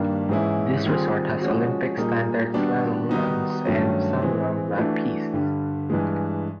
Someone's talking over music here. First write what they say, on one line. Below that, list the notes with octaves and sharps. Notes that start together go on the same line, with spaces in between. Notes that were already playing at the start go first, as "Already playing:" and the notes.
This resort has Olympic-standard slalom runs and some long black pistes.
Already playing: G2 D#3 G3 A#3 D4
G#2 E3 G#3 C#4 E4
D#3 G3 C4 F4 G#4
F3 G#3 C#4 F#4
A#2 G3 A#3 D#4 G#4
D#3 G3 B3 D4 F#4
D#3 G3 B3 D#4 F#4
G2 D#3 F#3 A3 C#4
E3 G#3 C4
E3 A3 D4 F#4
G2 D3 G3
G2 E3 G#3